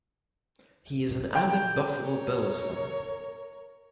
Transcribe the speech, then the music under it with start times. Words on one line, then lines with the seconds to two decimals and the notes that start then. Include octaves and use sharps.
He is an avid Buffalo Bills fan.
1.35 G5
2.03 A#4 C#5